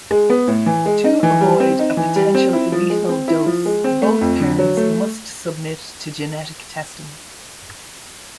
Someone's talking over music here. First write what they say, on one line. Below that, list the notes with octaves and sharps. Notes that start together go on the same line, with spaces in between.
To avoid a potential "lethal dose," both parents must submit to genetic testing.
G#3
B3
A2
E3
G#3
D#4
E3
G3
C4
D#4
E3
G3
C4
E4
F3
G#3
C4
E4
F3
G#3
C4
A3
F2
D3
F#3
A3